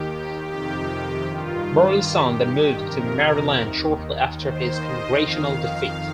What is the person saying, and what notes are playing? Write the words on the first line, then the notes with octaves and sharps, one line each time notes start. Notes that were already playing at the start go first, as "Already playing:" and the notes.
Burlison then moved to Maryland shortly after his congressional defeat.
Already playing: D#2 D#3 G4
F2 C3 D#3 G4
G2 D#3 F4
G2 D#3 G4
F2 C3 D#3 A#4
D#2 D#3
D#2 D#3 C5
D#5
F2 D#3 F5